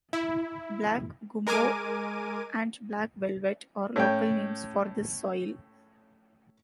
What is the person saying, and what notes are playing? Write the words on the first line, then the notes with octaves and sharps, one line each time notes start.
"Black Gumbo" and "Black Velvet" are local names for this soil.
E4
G#3 A#4 G#5 D6 D#7
A2 C#4 G5